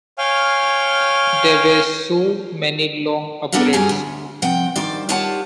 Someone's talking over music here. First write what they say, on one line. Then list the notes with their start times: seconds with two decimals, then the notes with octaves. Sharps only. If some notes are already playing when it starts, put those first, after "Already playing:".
There were so many long upgrades.
0.18 C#5 F5 G5 G#5 F6
3.52 B3 D4 A4 A#4 F#5
3.73 F#2 F#3 G3 C#4 G#4 G#5
3.89 D2
4.42 C3 F3 F#5 G5
4.75 G2 D#3 C5 D5
5.09 D#3 F4 G4 C#5 F#5 A5